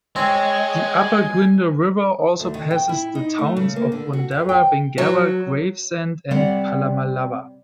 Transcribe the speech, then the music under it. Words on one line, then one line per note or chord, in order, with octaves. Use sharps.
The upper Gwydir River also passes the towns of Bundarra, Bingara, Gravesend, and Pallamallawa.
G#3 C4 C#5 G#5
D2
D#3
G5
E4
D#4
A3
C#3
A#3
D3
F#4
F2
G5
F#3
C3 G3 C4 C#5 D5 F#5